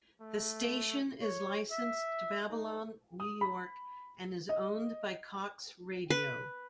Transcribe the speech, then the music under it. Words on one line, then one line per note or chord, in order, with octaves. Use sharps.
The station is licensed to Babylon, New York and is owned by Cox Radio.
A3
C#5
E5
D#4
D#6
B5
D#5
B4